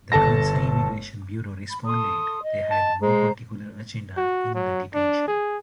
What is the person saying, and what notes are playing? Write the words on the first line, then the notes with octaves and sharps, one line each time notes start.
The Kansai immigration bureau responded they had "no particular agenda" in the detention.
G1 A4 A5 A#6
B5
A4 C6 D#6
D#5
A5
G#3 C5 A#5
F#4
F#3
D4
G#4